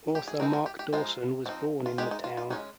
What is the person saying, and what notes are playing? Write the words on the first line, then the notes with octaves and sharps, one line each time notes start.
Author Mark Dawson was born in the town.
G4
G#4
G#3 C4 D#4 A#4
A#4
G4
G4
F3 G#3 D#4 F4
F3 C4 D#4
F4
G#3 D#4 G4
D#4
F4
F4
G#3 C#4 D#4